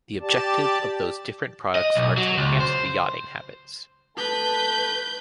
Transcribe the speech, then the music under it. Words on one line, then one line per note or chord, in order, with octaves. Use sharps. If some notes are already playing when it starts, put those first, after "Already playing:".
The objective of those different products are to enhance the yachting habits.
G4 D5 A5
D#5
B1
F#3
C#2
C5
A3 B4 A5 G6